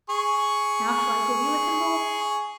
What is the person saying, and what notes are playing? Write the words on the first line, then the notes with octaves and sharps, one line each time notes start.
"Now shall I give you a thimble?"
G#4 C#6